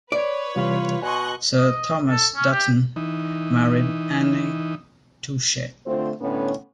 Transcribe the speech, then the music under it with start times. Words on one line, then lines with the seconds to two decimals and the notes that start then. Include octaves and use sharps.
Sir Thomas Dutton married Anne Touchet.
0.12 B4 C#5 D5
0.56 C3 E3 G3 F4
1.02 B2 D#5 G#5 C6 C#6 F#6
1.58 D#5
2.09 A4
2.35 C#4
2.52 G4
2.96 E3 D#4
5.87 D3 A3 C4 F4 C5
6.21 A2 D3 B3 C#4